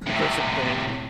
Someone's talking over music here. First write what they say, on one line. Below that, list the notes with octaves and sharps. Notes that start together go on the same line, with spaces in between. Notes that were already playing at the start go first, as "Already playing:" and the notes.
for some things.
A2 C3